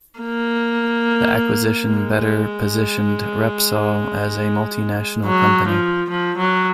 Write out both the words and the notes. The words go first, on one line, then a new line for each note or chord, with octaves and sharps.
The acquisition better positioned Repsol as a multinational company.
A#3
G#3
F#3
F3
F3
F#3